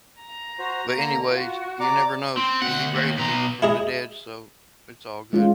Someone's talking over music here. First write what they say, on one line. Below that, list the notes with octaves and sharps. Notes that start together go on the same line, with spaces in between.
but anyways, you never know p He raised people from the dead, so it's all good.
A#5
F#4 C5
D3 A#3
F4 F#4
D5 A#5 D6
C4
D2 F#5
D#2
B2 A#5
E4 G#4 D#5
G#3 C#4 F4